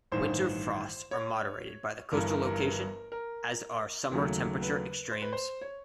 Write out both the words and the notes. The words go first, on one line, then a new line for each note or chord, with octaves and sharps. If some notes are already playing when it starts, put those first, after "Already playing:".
Winter frosts are moderated by the coastal location, as are summer temperature extremes.
A1 G2 D#3 C5
C#5
G1 G2 E3 A#4
A#4
A#4
A#4
D#2 C#3 F#3 A3
B4
C5
B4
C5
C#5